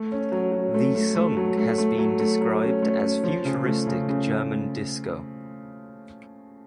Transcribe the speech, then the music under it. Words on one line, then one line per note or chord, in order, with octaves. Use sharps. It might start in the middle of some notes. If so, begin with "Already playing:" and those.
The song has been described as futuristic German disco.
Already playing: A3
C#4
F#3
F#3
A3
A3
A3
F#3
A3
A3
F#3
A3
F#3
C#4
A3
C#4
F3
C#3
A3
C#3
C#3